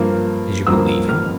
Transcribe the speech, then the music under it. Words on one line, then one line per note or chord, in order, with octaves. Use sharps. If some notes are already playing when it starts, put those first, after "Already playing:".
"Did you believe him?"
Already playing: G2 F3 A#3
G2 F3 A#3 E6
F6